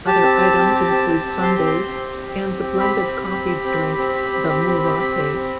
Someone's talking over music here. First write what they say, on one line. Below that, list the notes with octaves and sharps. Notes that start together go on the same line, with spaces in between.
Other items include sundaes and the blended coffee drink, the MooLatte.
G4 A5
C4
G4
C4
G4
C4
G4
C4
G4 C6
C4
C6
G4
C4
G4
C4
G4
C4
G4 B5
C4
G4
C4
G4
C4
G4
C4
G4
C4
G4
C4
G4
C4
G4
C4